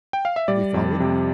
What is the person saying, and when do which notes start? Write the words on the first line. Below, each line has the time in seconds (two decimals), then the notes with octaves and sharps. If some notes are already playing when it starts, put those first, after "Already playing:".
Have you followed me?
0.13 G5
0.25 F5
0.36 E5
0.48 G3 D5
0.74 F2
1.00 C3